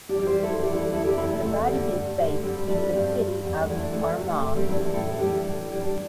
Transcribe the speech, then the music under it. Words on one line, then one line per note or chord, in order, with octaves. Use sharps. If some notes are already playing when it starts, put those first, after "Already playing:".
The body is based in the city of Armagh.
D4 G4
E3 G3
G4 C5
E2 E4 A4
D4 G4
E3 G3
E4 A4
D2 E4 A4
D4 G4
C3 E3 G3 C4 E4
A3
E2 A3
D3 G3
G2
D3 G3
G2 G3 C4
G3 A3 D4
G2 G3 C4
G3
E2 G3 C4
A3
E3 G3
A3 D4
D2 A3
C3 G3
A3
E2 A3
G3 C4
E3 G3 A3 D4
E4 A4
A2 E4 A4
E3 G3 D4 G4
A2
E3 G3
D4